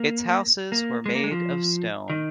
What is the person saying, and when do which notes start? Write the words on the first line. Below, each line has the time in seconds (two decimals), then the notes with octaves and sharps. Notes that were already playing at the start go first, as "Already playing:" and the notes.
Its houses were made of stone.
Already playing: A#3
0.72 A#3
1.06 G#3
1.15 A#3
1.24 G#3
1.32 F3
2.10 D#3